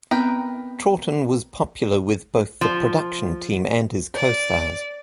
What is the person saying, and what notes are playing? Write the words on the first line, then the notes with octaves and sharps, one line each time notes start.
Troughton was popular with both the production team and his co-stars.
B3 C4 A#4 B4 G5
F3
D5